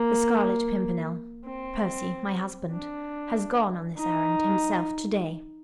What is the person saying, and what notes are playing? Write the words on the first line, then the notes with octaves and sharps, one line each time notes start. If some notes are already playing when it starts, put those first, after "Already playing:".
The Scarlet Pimpernel--Percy, my husband--has gone on this errand himself to-day.
Already playing: A#3
C4
D4
D#4